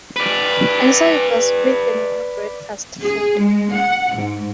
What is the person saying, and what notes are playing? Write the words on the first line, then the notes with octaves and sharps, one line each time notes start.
And so it was with the new breakfast food.
B4 D5
G#4
G#3
F#5
G#2